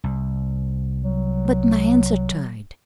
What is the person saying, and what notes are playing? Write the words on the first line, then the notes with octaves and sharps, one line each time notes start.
But my hands are tied.
C2
F#3